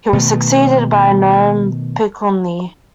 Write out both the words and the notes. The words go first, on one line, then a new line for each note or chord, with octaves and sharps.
He was succeeded by Noam Pikelny.
B2 D#3 A3